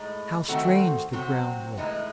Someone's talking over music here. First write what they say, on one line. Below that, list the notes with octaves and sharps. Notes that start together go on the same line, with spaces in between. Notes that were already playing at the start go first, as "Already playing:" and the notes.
How strange the ground looks!
Already playing: A2 G#3 D#4
D#3 A3 C4 F#4 A4
C3 F#3 C4 F#4
A2 E3 G#3 D#4